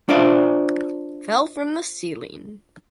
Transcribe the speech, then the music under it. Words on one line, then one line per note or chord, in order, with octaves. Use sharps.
Fell from the ceiling!
D4 F4 C5 D5 E5